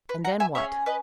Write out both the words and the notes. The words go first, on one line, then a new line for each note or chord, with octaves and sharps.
"And then what?"
B4
F#5 A#5
E5 G#5
C#4 G#4 C#5 E5
B4 D#5